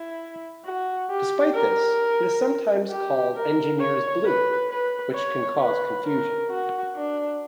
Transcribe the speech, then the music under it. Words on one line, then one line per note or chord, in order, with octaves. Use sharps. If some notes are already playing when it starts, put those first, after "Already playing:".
Despite this, it is sometimes called engineer's blue, which can cause confusion.
Already playing: E4
F#4
G4
A#4
G4
A#4
C#5
B4
B4
C#5
B4
A#4
F#4
D4